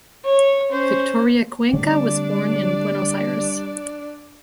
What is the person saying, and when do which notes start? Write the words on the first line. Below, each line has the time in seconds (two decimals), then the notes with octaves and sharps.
Victoria Cuenca was born in Buenos Aires.
0.24 C#5
0.70 C#4 C5
1.73 D3 G3 A3 C4 D4 D5